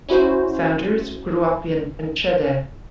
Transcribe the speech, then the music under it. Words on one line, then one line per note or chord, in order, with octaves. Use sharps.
Sanders grew up in Enschede.
C#4 E4 F#4 C5